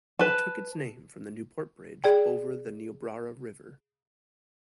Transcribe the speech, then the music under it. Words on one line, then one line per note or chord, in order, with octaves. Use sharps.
It took its name from the Newport bridge over the Niobrara River.
B4 A5
G#4 D5 G5